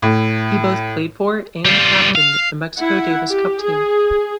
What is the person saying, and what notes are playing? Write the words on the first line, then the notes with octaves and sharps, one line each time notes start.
He both played for and captained the Mexico Davis Cup team.
A2
G3 F4
F5
E4 F#5
G4
G#4